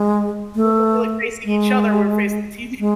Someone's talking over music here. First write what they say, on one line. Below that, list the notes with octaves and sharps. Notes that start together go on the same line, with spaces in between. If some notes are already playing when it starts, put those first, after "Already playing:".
we weren't really facing each other, we were facing the TV.
Already playing: G#3
A3
G#3
G#3